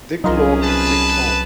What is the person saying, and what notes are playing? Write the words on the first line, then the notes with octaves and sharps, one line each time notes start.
The clock ticked on.
C2 C3 F#3 C#4 D#4 F4 G#4 A#4
B4 A5